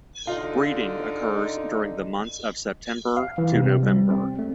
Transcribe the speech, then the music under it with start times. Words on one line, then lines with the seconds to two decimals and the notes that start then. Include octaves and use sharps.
Breeding occurs during the months of September to November.
0.27 D3 D#4 F4
3.17 F5
3.38 E3
3.52 C3
3.83 G3
4.10 C4
4.39 A3